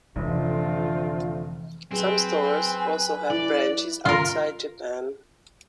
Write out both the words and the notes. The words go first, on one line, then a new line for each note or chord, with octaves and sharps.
Some stores also have branches outside Japan.
F1 D3 E3 A3 C4 F4
F#3 C4 G#4 B4 G#5
E4 D5
F4 A#4